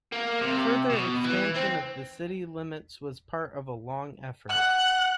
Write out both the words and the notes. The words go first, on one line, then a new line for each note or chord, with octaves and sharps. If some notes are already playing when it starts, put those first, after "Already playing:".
Further expansion of the city limits was part of a long effort.
A#3
C3
B2
E3
C4
F#5 F#6